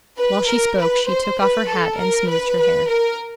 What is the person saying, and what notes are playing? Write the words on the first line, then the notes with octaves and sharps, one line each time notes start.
While she spoke she took off her hat and smoothed her hair.
B4
A#4
B4
C5
B4
A4
A#4
B4
B4
A#4